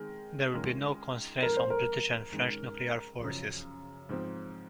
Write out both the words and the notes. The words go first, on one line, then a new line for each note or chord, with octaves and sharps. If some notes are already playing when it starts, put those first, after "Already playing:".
There would be no constraints on British and French nuclear forces.
Already playing: D#3 G#3 C4 G#4
D#3 G#3 C#4 F4 A#4
G#2 F3 C4 A#4
C5
A#4
G#2 D#3 G#3 C#4
F#2 C#3 F3
G#2 F3 C4